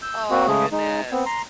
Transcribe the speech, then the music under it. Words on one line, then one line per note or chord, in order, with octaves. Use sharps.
Oh, goodness!
E6 G6
A#3 C4 F#4
C#3 G#3 A3 G#4
G#3 D#4
B3 C4
A#5 C6